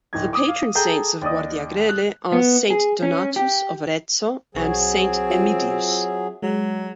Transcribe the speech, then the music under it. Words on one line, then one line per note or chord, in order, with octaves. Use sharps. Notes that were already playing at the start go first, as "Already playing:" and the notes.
The patron saints of Guardiagrele are Saint Donatus of Arezzo and Saint Emidius.
D1 D#4 G#6
D6 D#6
F5
G#4 A4 G5 A#5 G6
D#2 D5 D#5 D#6
F#6
B3
G#4
C#4
G4
B1 F#3 C4 G#4 C#6 G#6
F4 C#5 E5
F#3 G#3